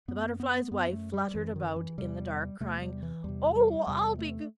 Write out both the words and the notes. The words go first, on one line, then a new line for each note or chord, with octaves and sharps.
The Butterfly's Wife fluttered about in the dark, crying, 'Oh, I'll be good!
F#2 B3
B3
F#2 B3
A3
G3
F#2 E3
D#3
E3
E2 C3 G3
E2 C3 A3
G3
E3
E2 C3 G3
G3
E2 C3 G3
A3